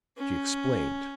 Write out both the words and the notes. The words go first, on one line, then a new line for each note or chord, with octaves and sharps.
She explained.
C#4